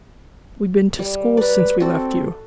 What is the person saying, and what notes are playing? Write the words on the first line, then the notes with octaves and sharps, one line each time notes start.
"We've been to school since we left you."
G3
B4 D5 A#5
C4 F#4 A4